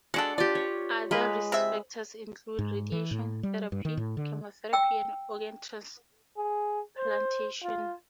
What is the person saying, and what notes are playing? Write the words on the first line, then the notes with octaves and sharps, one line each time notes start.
Other risk factors include radiation therapy, chemotherapy, and organ transplantation.
G#3 D4 F#4 A4 F#5
F4 G4 D5
C#5
G#3 A#3 B4
C3 E5
G#2
E3
A2
G3
G2
D#3
A2
D3
G5 E6
G#4
C5
F4